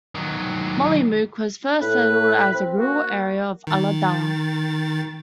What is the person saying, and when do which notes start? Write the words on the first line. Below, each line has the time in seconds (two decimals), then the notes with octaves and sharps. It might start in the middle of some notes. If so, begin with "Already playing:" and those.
Mollymook was first settled as a rural area of Ulladulla.
0.15 D#3 F#3
1.82 A2 B4
2.54 C4
2.78 A#3 F#4
3.67 D#3 A6